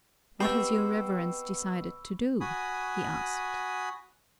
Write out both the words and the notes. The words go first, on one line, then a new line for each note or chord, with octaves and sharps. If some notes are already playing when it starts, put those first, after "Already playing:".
"What has your Reverence decided to do?" he asked.
B2 C4 G4 B5 C#6 E6
F#4 G#5 B5 D#6